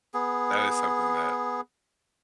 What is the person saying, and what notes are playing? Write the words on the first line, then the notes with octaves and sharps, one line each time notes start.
that is something that
B3 G#4